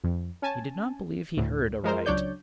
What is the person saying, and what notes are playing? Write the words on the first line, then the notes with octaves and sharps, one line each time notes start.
He did not believe he heard aright.
F2
C#4 G#5 A5
D2 A2
F3 G#3 A#4 C5
C#2 F#3 D4 C#5 D5 G6